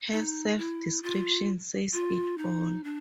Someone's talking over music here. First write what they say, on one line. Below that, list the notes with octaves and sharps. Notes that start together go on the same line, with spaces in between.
Her self-description says it all.
D#4
E4
F4
F4
D#4
D4